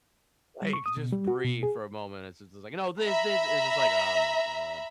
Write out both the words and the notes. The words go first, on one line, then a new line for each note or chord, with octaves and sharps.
Like, just breathe for a moment. It's just is like, "You know, this, this!" It's just like, "Oh my god."
G3
C#6
D#6
B2
G3
F#4
B2
G#4
E5 A#5 B5